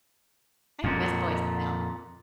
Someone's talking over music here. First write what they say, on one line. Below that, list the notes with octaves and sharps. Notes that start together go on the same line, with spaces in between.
I miss voicemail.
F2 A#2